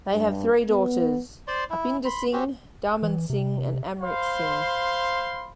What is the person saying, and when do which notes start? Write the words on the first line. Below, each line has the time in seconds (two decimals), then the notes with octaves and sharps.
They have three daughters, Upinder Singh, Daman Singh and Amrit Singh.
0.13 G2
0.68 B3
1.48 C5 D5 C6
1.70 E4
2.05 B5 C6
2.33 C4 C#4 F#4 G4
3.03 E3
3.30 C3
4.01 C5 F5 B5 C6